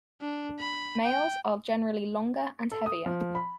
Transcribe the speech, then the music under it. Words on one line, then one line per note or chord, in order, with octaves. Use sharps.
Males are generally longer and heavier.
D4
B5
G5
A4
D#6
F3
B5